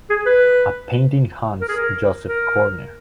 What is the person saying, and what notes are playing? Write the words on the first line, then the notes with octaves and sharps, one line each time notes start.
A painting haunts Joseph Koerner.
G#4
B4
A#4
G#4
A#4
A#4